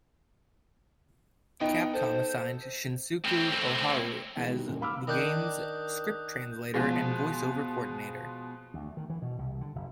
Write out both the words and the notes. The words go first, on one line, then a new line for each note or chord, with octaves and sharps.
Capcom assigned Shinsaku Ohara as the game's script translator and voice over coordinator.
B3 D#4 G5
A4 C5
A2 C4
B2 E3 G#3
E2 D#3 G3
D#1 F#2 A#2 D#3
F5 B5 D6 E6 F6
D#3 D4 D#6 F#6 G6
B2 F3 G#3
D2
D#3
E3
B2
C2
D3
F#1